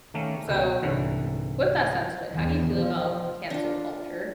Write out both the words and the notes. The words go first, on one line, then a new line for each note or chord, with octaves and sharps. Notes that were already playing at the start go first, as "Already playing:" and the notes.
So, w w with that sentiment, how do you feel about cancel culture?
D#3 A3 A#3 C#4
C#2 B2
C2 G#2 D3 E3
E2
F3
D4 F4